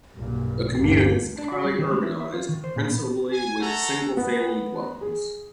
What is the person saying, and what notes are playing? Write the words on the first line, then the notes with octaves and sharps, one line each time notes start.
The commune is entirely urbanized, principally with single-family dwellings.
B1 G2 A#2
G1 D2 A#3
D4
F#4
G3
D#3
G#3
E4
E5
F4
D#3
C5
A#2
B3
G#5
A3 A4 F#5 A#5
B3
G#4